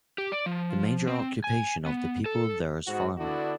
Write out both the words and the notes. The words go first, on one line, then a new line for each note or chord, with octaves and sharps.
The major occupation of the people there is Farming.
G4
D5
F3
C4
G#5
B3
A4
G#2 B2 F#4
D3 B3 D4 E4 F#4